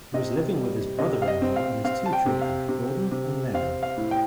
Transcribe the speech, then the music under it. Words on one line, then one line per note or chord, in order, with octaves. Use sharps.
He was living with his brother-in-law and his two children, Gordon and Mary.
C3 D#5
G3
C3 D#5
F5
D#5
C4
F5
C4 F5
A5
G5
C3
F5
C3
C3
C4 F5
F5
A2
G5